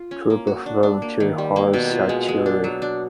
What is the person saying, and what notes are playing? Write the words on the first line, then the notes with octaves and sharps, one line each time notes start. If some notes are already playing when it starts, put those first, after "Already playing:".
Troop of Volunteer Horse Artillery.
Already playing: F4
C#4
A#3
F#4
D4
D4
A#3
D#3
G3
A#3
B2
F4
G#3
G#3
D4
F#3
D4